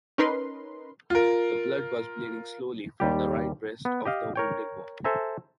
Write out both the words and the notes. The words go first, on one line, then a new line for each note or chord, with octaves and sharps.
The blood was bleeding slowly from the right breast of the wounded one.
C#4 D#4 A#4 B4 C6
F4 A#4
D#2 G3 G4
B3
G4 D#5 F5
A#4 C#5 G5
A4 C5 E5 G#5 A#5